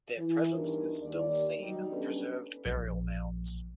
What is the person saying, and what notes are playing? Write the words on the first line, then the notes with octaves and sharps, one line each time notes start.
Their presence is still seen in the preserved burial mounds.
E3
E2 G2 D4 D#4 A#4
D#2 D5
F#3 G3 D#4
B3 C#4 D4 G4 A4 B4
A#1